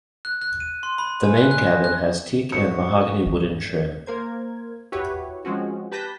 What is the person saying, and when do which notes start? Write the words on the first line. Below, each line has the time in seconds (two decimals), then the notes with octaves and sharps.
The main cabin has teak and mahogany wooden trim.
0.25 F#6
0.42 F#6
0.60 D#7
0.83 C6
0.98 B5
1.24 G#5
1.38 F#6
1.51 F#6
1.67 A#6
1.84 F#6
2.52 D2 A2 F#4 C#7
3.26 D#2 G#2
4.06 A#3 A#4 C5 G#6
4.92 E4 F#4 G4 B4 C#5
5.45 F3 G#3 C4 C#4 F#4
5.92 G4 B4 A5 G6 A#6 B6